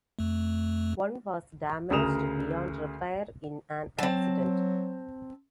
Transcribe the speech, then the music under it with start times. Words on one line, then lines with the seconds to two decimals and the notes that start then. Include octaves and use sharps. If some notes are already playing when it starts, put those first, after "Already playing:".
One was damaged beyond repair in an accident.
0.19 F2 A3
1.90 D2 C#3 A#4 D#6 E7 F7
3.99 F#3 C4 A5